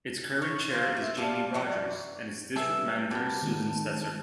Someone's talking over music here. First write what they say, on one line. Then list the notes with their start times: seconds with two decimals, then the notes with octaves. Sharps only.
Its current chair is Jamie Rogers, and its district manager Susan Stetzer.
0.42 C#5
0.70 A#3 F4 A#4 C5
0.97 E5
1.17 G3 F4 D5 A5
1.54 E3 F#3 D5
2.56 G3 G#4 A4 B4 E5
3.11 G3 B3 C4 A#4 A5
3.43 D#3 G#3 D#4